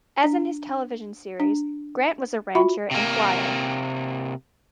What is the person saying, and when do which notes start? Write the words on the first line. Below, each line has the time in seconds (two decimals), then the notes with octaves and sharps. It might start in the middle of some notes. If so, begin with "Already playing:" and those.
As in his television series, Grant was a rancher and flier.
0.24 D4
1.40 D4
2.55 F4 F#4 E5 B5
2.91 C3 A#3